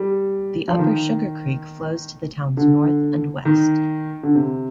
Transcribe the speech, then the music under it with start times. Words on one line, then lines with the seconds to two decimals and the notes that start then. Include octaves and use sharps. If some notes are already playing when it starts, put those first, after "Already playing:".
The Upper Sugar Creek flows to the town's north and west.
Already playing: G3
0.68 F3
0.79 D#3
2.57 D3
3.45 D#3
4.23 D3
4.35 C3